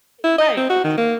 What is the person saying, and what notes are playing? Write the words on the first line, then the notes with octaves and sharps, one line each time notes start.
Right, it's
E4
D#5
C4
F#4
D#3
A#3